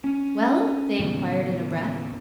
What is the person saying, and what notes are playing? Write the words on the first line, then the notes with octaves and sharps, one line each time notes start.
"Well?" they inquired in a breath.
C#4
D#2 A2 C#3 B3